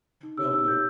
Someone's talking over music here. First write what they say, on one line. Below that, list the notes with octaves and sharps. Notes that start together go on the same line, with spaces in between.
Well put.
D#4
G4 C#5 E6
D#4 E6
G4 C#5 G6